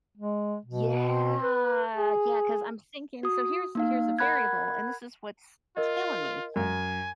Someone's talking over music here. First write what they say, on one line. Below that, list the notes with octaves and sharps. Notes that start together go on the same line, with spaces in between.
Yeah. Yeah, 'cause I'm just thinking so here's here's a variable, and this is what's killing me,
G#3
B2
B4
G#4
F#4 D#6
A#3 D#4 F5
A#4 F#5 B5 F#6 G#6
F4 A#4 D#5
F#2 G#5